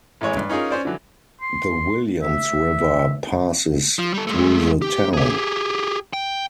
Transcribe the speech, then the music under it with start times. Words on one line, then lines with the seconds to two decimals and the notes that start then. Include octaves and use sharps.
The Williams River passes through the town.
0.21 A1 E3 G#3 C#5
0.37 G2
0.49 C#4 D#4 F4 G#4 A#4
0.70 C#4 C5 D5
0.85 D3 E3 F#3
1.41 C6
2.22 E5
3.99 F3
4.14 G3 A4
4.27 G#3 A3
4.82 G4
5.13 G4 G#4
6.13 G5